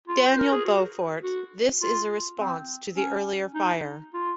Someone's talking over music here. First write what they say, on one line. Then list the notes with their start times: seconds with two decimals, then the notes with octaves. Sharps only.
Daniel Beaufort, this is a response to the earlier fire.
0.08 F4
0.25 C5
0.39 A#4
0.52 G#4
0.65 F#4
1.24 F#4
1.82 F4
2.39 C4
2.97 C#4
3.55 D#4
4.14 F4